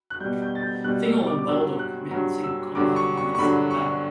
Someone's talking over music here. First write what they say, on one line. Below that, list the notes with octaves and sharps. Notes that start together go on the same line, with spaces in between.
Thingol and Boldog met in single combat in the midst of the battle.
F#6
B2 G3 G6
G6
A6
G6
B2 G3 F#6
E6
D6
D6
G2 F#3 E6
F#6
G2 F#3
E6
G2 D3 F#3 D6
C#6
C#6
C#6
G2 D3 F#3 B5
C#6